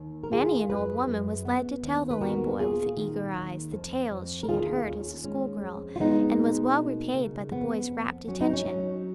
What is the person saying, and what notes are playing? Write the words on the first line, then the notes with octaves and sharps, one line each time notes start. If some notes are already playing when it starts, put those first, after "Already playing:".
Many an old woman was led to tell the lame boy with the eager eyes the tales she had heard as a schoolgirl, and was well repaid by the boy's rapt attention.
Already playing: D#2 D#3
A#4
D#2 F4 G#4
F#2 G#4 B4
F#2
B3
D#2
B4
B3 F#4 A#4
A#2 F4 G#4
D#3
D#2
F2
F2
A#4
D#2 F4 G#4
D#2 C#4
G#3 C#4
F2
F4
G#3 B3 D#4
B2
A#3
C#3
F2 B3
F2
F#3 C#4
D#4
C#4
F#3